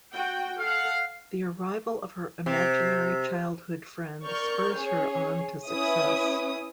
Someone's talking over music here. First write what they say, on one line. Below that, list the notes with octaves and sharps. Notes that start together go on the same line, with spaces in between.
The arrival of her imaginary childhood friend spurs her on to success.
F#4 G5
A4 F5 F#5
C3
A#4 D5 C#6 F6 G6
C#4 G#4 C#5
C#4 E4 B4 D#6